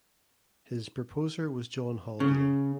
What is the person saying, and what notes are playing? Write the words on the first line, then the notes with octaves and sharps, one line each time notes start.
His proposer was John Haldane.
C#3